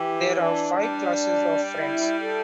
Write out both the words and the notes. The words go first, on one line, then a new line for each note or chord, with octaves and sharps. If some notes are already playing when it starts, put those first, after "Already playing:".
There are five classes of Friends.
Already playing: E3 G4
D4
G3
E4
A4